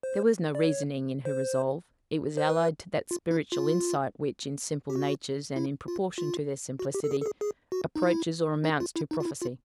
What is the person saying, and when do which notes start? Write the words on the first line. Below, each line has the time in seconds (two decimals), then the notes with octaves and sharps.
There was no reasoning in her resolve: it was allied to that spiritual insight which, in simple natures, and in proportion to their simplicity, approaches or amounts to prophecy.
0.03 C5
0.55 D5
0.64 C#5
1.25 C5
2.37 C5
2.49 B4
3.11 F4
3.31 E4
3.52 F4
4.90 G4
4.96 F#4
5.56 E4
5.88 F4
6.18 F4
6.79 F#4
6.94 G4
7.04 A4
7.11 G#4
7.21 A4
7.26 G#4
7.41 G#4
7.72 F#4
7.96 D#4
8.03 E4
8.64 D#4
8.80 F4
8.96 E4
9.11 D#4
9.20 F4
9.25 E4
9.42 F4